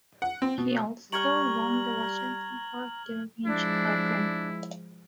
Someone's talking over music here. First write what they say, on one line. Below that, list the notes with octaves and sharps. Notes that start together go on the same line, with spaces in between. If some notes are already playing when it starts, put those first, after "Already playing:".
He also won the Washington Park Derby in Chicago.
F#5
C4
B2
G3 A#5 C#6 D6 F6 G#6 F#7
F3 G#3 D4 E4